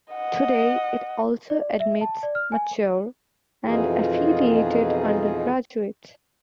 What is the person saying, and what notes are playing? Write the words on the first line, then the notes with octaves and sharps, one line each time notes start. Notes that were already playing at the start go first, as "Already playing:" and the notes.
Today, it also admits mature and affiliated undergraduates.
D#5 F#5
D5
E5
A5
D5
F6
G#5
F2 B2 E3 D#4 F4 G#4